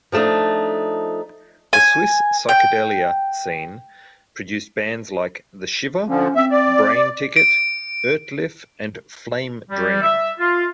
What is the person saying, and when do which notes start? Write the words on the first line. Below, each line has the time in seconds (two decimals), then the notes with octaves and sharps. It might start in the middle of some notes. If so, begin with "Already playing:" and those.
The Swiss psychedelia scene produced bands like The Shiver, Brainticket, Ertlif and Flame Dream.
0.12 F3 G3 A3 D4 D#4
1.73 G#5
2.49 G5
6.08 D3 F3 C#4
6.36 C4 E5
6.51 D5
7.36 D7
9.70 G3
10.01 E5
10.40 F4